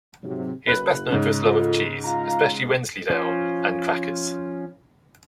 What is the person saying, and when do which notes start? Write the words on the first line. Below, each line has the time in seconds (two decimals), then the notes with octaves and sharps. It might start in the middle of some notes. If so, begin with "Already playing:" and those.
He is best known for his love of cheese, especially Wensleydale, and crackers.
0.23 G#2 C3 F#3
0.67 F#1 B4 F#6
1.10 G#2 C#3
1.43 F4 A4
2.05 F4 F5 A#5
3.10 F3 C#4 F4 C5